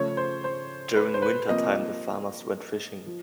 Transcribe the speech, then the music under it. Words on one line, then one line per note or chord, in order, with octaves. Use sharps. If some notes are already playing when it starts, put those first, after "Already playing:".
During wintertime the farmers went fishing.
Already playing: C#3 F3 A3 C#5
C5
C5
B4
C5
B4
C3 F3 A#3 D#5
F3